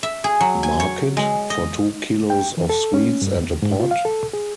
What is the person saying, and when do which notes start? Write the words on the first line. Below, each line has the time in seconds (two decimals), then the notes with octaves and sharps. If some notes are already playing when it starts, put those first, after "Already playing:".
Market? For two kilos of sweets and a pot!
0.03 E5
0.24 G#4
0.41 F#3
0.63 G#5
0.80 C#5
1.17 G#3
1.50 D#5
2.30 G5
2.57 E3
2.70 A4
2.94 C#4
3.22 G2
3.38 D#2
3.62 G#2
3.80 F4
3.91 F5
4.05 A4
4.33 G#4